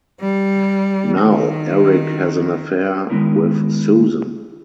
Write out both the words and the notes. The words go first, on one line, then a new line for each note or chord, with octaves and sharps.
Now, Erik has an affair with Susan.
G3
D#3
D#3 G#3 B3 C#4 E4 A#4